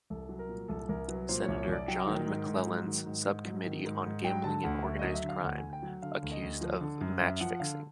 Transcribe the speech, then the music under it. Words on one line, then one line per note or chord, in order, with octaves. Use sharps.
Senator John McClellan's subcommittee on Gambling and Organized Crime, accused of match fixing.
C2 A4
F#3
A#4
A#2
C2 A4
C2 A#4
F#3 B4
A#2 C5
C2 C#5
C#5
C2
D5
F#3 G5
D#3
G#2
G#2
F#3
D#3
G#2
G#2
F#3
D#3
G#2
G#2
F#3 G5
D3 A5
D2 F#5
D2 E5
D#5
F#3
E5
D3
F5
D2 F#5
G#5
D2
G5
F#3 F#5
D3 F5
D2
D#5
D2
F3
D3
F#2
F#2 E5
F3 F#5
D3 F5